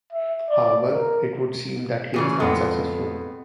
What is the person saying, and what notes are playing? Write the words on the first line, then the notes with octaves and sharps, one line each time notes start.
However it would seem that he was unsuccessful.
E5
D5
A#4
C#3 E3 G#4
F2 G#3 B3